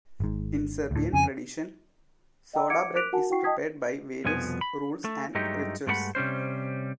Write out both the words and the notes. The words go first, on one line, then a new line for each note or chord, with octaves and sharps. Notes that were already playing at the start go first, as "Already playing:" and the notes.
In Serbian tradition, soda bread is prepared by various rules and rituals.
G#1 G#2
D2 A2
F2 C#3 G#5
D#5 F#5 G5 A#5 E6
E5 F#5 D6 G#6 C#7 D7
A#4 D6 F#6 B6 D7 F7
F#4 A#4 F#5 G#5 A5
E4 F#4 F#5 G5 C#6 C7
D#5 G5 A5 D#6 G#6 B6
C2 F2 B2 F3 B3 G#5
B5
A3
G2 F#3 G#3 A3 D#4 G4
G2 G#3 A3 D5 F#5 B5
C3 G3 C#4 C5